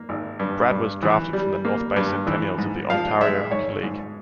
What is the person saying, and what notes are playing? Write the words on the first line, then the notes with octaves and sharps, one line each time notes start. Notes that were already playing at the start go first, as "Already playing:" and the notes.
Brad was drafted from the North Bay Centennials of the Ontario Hockey League.
Already playing: A#3
G#1
G2
G2
E3
G3
A#3
G2
E3
G#2
F3 F5
G#3 E5
G#2 C#5
G#2